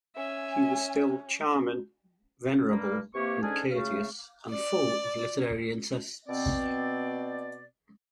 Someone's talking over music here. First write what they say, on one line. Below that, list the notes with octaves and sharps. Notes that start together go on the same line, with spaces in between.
He was still charming, venerable, and courteous, and full of literary interests.
C#4 E5 G#5
G2 G3 A#3
C3 E3 A#3 G4 C#5 C#6
G#2 D3 C#4 D4 G#4 G#5
C#3 A3 F5
D5
B2 C4 D5